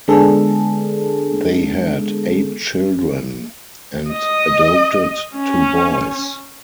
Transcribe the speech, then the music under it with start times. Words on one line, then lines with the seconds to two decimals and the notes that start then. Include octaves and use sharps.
They had eight children and adopted two boys.
0.08 D3 G#3 B3 D4 G#4 A4
4.11 D#5
5.36 C#4